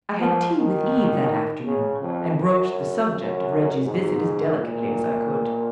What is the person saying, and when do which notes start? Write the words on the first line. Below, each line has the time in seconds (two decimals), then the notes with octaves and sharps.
I had tea with Eve that afternoon and broached the subject of Reggie's visit as delicately as I could.
0.19 F3
0.55 D#3
1.65 C#3
2.02 F2
2.38 F#2
3.11 F#2
3.84 G#2
4.57 A#2